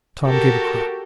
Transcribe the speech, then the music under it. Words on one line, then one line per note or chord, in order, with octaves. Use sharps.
Tom gave a cry.
F#4 G4 A4 A#4